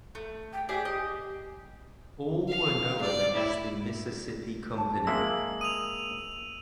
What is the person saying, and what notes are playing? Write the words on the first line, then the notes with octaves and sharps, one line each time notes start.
All were known as the Mississippi Company.
A3
G5
G4 G#4 D5 E5
D#5
F5
D5
E4
A5
G#3 A#3 E5 E6
D#6 D#7 F7